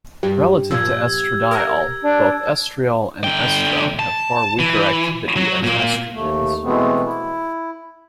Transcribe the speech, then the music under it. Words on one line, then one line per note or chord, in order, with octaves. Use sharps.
Relative to estradiol, both estriol and estrone have far weaker activity as estrogens.
G2 G4
A#2 F3 E6 G#6
A#4
D4
D3 G5
A5
E3
F#3
A#2 A#3
D#2 A3
B2 E3 G#3 A3 B3 C4
E4